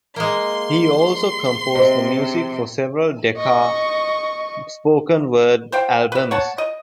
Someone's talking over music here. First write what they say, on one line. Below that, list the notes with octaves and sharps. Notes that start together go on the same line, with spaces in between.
He also composed the music for several Decca spoken word albums.
G#3 A#3 C6
C3 C5 D#5
D#5 C#6
C5 F5 G5
B4 E5
C#5 F#5 A5
D#5